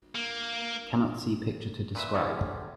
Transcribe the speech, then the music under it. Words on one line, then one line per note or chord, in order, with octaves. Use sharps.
Cannot see picture to describe.
A#3
A#2 B4 E5
E2 A2 D3 F3 G3 C#4